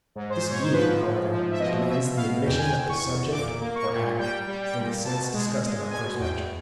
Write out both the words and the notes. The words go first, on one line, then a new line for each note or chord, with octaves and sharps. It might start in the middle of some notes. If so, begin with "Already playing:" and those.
This view, however, demands the admission of the subject, or act, in the sense discussed in our first lecture.
G#2
C5
G#2
C#5
C5
F3 B4
G#2
F3
E5
B2 D#5
B2 E5
B2 F5
E2 G5
G#5
G5
E2
C#6
E2
A#2 D6
A#3
C#6
A#2
G3 G5
G3
G5
A#2
B2 A5
G#3
G#3
B2 G#5
E2 G5